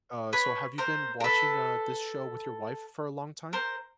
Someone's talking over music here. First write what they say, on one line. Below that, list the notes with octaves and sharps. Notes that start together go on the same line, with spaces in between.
uh, so have you been watching, uh, this show with your wife for a long time?
B4 C#5
A#4 C5
A#4
A4 B4
A#4 C5